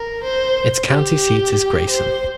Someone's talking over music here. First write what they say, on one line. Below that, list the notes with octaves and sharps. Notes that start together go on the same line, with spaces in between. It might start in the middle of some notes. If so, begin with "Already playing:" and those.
Its county seat is Grayson.
Already playing: A#4
C5
G4
C5